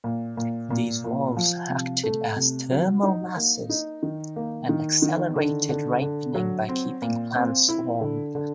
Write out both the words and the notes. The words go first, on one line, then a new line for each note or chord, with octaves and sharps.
These walls acted as thermal masses and accelerated ripening by keeping plants warm.
A#2
A#2
A#2
A#2
F3
C3
A3
C3
F#3
D#4
A#3
D#4
D#3
A#3
D#3
D#3
D3
D3
D3
F#3
C4
A#2
C4
E4
D3
D3